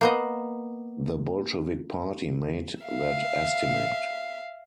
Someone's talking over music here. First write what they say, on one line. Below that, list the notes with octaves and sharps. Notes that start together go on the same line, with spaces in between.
The Bolshevik party made that estimate.
A#3 B3 D#5
E5 F5